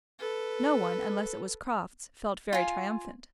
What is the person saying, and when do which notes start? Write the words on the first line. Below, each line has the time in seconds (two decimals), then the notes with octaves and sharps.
No one, unless it was Crofts, felt very triumphant.
0.19 A4 B4
2.53 F4 G#5